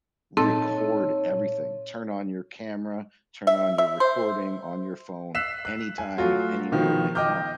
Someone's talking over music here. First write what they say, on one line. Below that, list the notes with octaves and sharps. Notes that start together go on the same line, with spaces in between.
record everything, turn on your camera, turn on your recording on your phone anytime, and anywhere they want.
A#2 C4 D#4 A4 C#5
E5
E5
C5
E6 F#6 B6 C7 E7
F#6
G#5
F#3 A3 F4 F#4
B2 D#3 F3
D#5 G5 D6 F6 G6